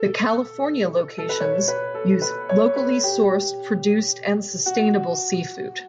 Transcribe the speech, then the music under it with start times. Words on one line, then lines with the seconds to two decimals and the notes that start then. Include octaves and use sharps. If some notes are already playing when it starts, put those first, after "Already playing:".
The California locations use locally sourced produced and sustainable seafood.
Already playing: A4
1.18 A4
1.29 B4
1.40 C#5
1.68 B4
1.95 A4
2.22 B4
2.49 C#5
2.76 B4
3.04 G4
4.66 F#4